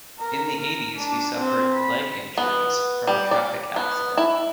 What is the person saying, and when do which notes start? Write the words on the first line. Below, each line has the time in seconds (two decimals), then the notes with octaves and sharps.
In the eighties he suffered leg injuries from a traffic accident.
0.20 A#4
0.60 A#4
0.97 D4
1.39 C4
1.74 B5
2.38 B3
3.07 G3
3.31 D5
3.76 B3
4.17 E4